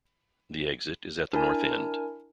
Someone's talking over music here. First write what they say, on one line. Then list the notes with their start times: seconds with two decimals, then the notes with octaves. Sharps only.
The exit is at the north end.
1.33 D4 E4 A#4 G#5